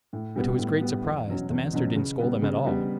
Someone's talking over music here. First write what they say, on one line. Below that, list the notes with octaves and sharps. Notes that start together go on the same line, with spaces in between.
But to his great surprise the master didn't scold at all.
A2
G3 B3
A2
G3 B3
E2
B2 F#3 C#4
E2
B2 F#3 C#4
C#3
G3 B3
C#3
G3 B3